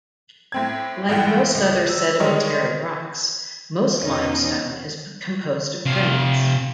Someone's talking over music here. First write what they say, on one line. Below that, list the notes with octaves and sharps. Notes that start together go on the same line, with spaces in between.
Like most other sedimentary rocks, most limestone is composed of grains.
A2 C4 G#6
A#1 G2 E3 F#5 G5
C#2
E6
D#3 G3 G#3 A#4 C#5 D#5
E2 B2 C#4 D#4
C3 F5